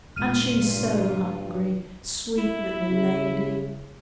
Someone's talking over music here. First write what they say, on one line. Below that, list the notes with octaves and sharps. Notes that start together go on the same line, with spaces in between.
"And she's so hungry, sweet little lady."
E1 A#2 C#3 G#3 F4 F6 D#7
G2 G#3
E4
C#3